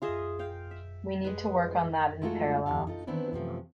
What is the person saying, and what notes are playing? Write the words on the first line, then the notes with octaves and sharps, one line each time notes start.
We need to work on that in parallel.
F4 G#4 D#5 E5
F5 G5
E5
G#3 B4
G#3 A3 D#4 F4 F#4 A4
E2 G2 G3 F5
D#4 F4 A4
D#3 E3 B3 C4 D4 E4
F#2 C3 F3 A3